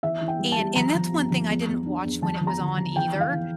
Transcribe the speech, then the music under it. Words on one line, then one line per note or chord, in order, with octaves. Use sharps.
and and that's one thing I didn't watch when it was on either,
E3 E5
E3
G5
G3
A5
G3
F3 A#5
F3
G1
F3
E2
E2
D4
E2
F3 A5
F3
A#5
D3
F3
E3 G5
E3
F5
E3